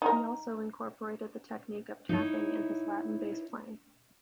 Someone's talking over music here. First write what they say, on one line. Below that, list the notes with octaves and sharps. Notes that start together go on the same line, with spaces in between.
He also incorporated the technique of "tapping" in his Latin bass playing.
D#4 A#4
D#4 E4 C#5